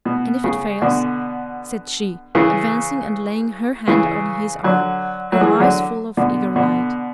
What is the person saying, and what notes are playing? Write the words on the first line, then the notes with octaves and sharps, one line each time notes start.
'And if it fails,' said she, advancing, and laying her hand on his arm, her eyes full of eager light.
B2
C#3
B2 D3
C#3 E3
C#3 E3
D3 F#3
F#3
E3 G#3
D3 F#3
B2 D3
B2 D3